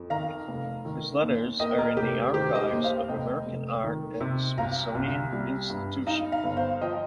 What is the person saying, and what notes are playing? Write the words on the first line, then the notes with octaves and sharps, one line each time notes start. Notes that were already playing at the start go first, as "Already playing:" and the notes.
His letters are in the Archives of American Art at Smithsonian Institution.
Already playing: F2
D#3 F5 A#5
F1
D#3
D#2
A#3 D#5 G5
A#4
F1 G4
D#3 G4 C5
D#5
G4 C5
D#2
C5 F5
F1 D#5 G5
F1
D#3
C3
C2 F5 A#5
C2
G3
G2
D#4 F5 A#5
F5 A#5
G1
C5 F5
F3 D#5 G5